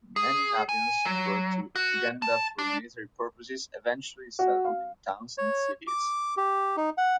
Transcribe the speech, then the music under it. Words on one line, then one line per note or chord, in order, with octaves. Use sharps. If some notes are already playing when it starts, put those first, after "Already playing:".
Many Nubians brought to Uganda for military purposes eventually settled in towns and cities.
G#4
G#5
F#3
F#4
A5
D4
F#4
F5
C#5
D6
G4
D#4
F#5